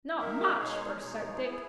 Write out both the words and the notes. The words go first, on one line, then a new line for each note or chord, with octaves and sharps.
"Not much!" burst out Dick.
D#3 A#3 D#4 A#4 E5
B2 G#3 D#4 G#4 C#5
B2 G#3 D#4 G#4 C#5
B3 E4 G#4